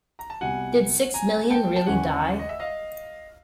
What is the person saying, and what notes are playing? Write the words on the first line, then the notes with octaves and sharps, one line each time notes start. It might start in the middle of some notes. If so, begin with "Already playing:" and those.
Did Six Million Really Die?
A#5
A5
C2 B2 G3 F#5 G#5
G#5 A#5
G5 A5
A5
D#2 C#3 E3 G#3 C#4 F#5 G#5
D#5
E5
D#5 F5